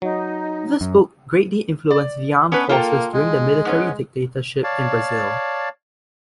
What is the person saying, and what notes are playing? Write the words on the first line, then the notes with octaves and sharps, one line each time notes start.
This book greatly influenced the armed forces during the military dictatorship in Brazil.
F#3 D#4
F#2
D5
B3 C#4 D4 B4
A#3 F4 A4 G5
G#3
G#2 B3 C#4
C#5 D5 F5 A5